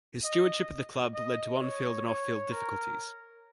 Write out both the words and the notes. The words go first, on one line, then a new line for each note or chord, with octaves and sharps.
His stewardship of the club led to on-field and off-field difficulties.
D#5
D#5
C#5
C#5
A#4